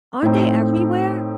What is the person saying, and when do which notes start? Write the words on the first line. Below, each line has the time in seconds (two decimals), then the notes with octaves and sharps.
Aren't they everywhere?
0.23 A2 A3 C4 D#4